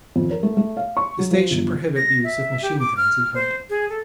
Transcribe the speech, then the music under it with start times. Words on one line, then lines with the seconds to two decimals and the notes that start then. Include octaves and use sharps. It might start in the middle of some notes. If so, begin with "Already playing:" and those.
The state should prohibit the use of machine guns in hunting.
0.16 F2
0.31 A#4
0.43 A3
0.57 A3
0.77 F5
0.97 C#6
1.19 F#3
1.31 F3
1.51 G1
1.96 A#6
2.24 E5
2.62 G4
2.79 D6
2.97 F6
3.34 C5
3.70 G#4
3.89 A4